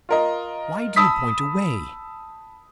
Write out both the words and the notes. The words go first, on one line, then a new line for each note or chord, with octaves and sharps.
"Why do you point away?"
F4 A#4 D#5
A5 B5 D#6 E6 B6